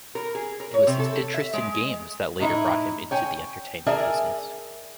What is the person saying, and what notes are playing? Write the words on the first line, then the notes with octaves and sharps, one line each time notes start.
It was his interest in games that later brought him into the entertainment business.
A#4
G#4
A#4
C#5
C3
A4
E5
G#3
A2 D#4 E4
C#5 G5 G#5
G#4 A#4 D5 E5 G#5 A5